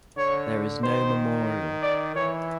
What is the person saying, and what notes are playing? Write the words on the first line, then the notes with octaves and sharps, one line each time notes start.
There is no memorial.
D3 C#5
D#3 C5
D5
E3 C#5